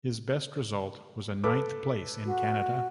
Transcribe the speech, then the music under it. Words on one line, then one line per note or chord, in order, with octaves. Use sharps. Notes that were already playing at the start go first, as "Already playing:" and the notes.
His best result was a ninth place in Canada.
A4 B4 D6
F#4